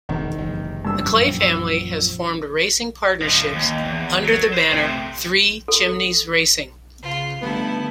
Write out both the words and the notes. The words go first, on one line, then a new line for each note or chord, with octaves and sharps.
The Clay family has formed racing partnerships under the banner, Three Chimneys Racing.
E1 D#3 E3
F#1 C3 E3
G2 E6
F#2 A#2 F3
E6
C#2 F3
D#2
E2
F#3
C5
C3 A3
A4
C#3 F4
G2 D3 F3 A3 B3 D#4 E4